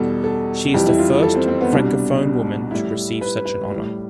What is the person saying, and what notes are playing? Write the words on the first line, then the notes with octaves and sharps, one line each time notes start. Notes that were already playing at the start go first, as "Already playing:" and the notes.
She is the first Francophone woman to receive such an honour.
Already playing: E2 B2 G3 A4
A4
F2 E3 G3 G4
E4
F4
A4
C4
C4
B3
C2 B2 G3 D4
A2 G3 E4
B4
B4
A2 G3